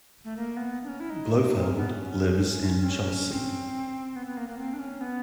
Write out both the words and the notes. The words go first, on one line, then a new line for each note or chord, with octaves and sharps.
Blofeld lives in Chelsea.
A3
A#3
B3
D4
C#4
E4
D#4
C4
C#4
B3
C#4
C4
C#4
C4
B3
B3
A#3
A#3
C4
D4
C#4
B3